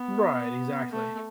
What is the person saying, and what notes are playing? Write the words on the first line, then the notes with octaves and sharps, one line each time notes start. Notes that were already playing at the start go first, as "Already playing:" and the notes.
Right. Exactly.
Already playing: B3
A3